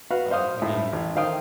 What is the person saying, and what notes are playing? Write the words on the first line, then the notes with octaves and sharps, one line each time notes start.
um, I mean,
F#4 B4 F5
C5 F5 D#6
A2
A1
D#3 A#4 C5 F5 G5 D#6